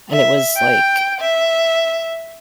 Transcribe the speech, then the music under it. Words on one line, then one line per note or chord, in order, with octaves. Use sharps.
and it was like,
E5
G5
E5